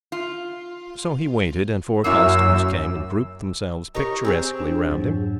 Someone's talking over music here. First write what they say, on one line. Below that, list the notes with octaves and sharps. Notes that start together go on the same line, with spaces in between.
So he waited, and four constables came and grouped themselves picturesquely round him.
F4
F#2 A#3 C#4 E4 E6
D#4 G4 A#4 C#5 C#6 A#6
C4 G#4 C#5
D4
F2 G#2 F#3